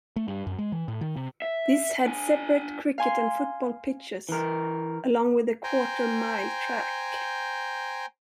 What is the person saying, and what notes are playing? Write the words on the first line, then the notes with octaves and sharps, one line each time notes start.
This had separate Cricket and Football pitches along with a quarter mile track.
A3
G2
F#2
G#3
E3
A2
D#3
C3
E5
D4 G#5
F5 G#5 C6
E3 A#4
C5 G5 G#5 A#5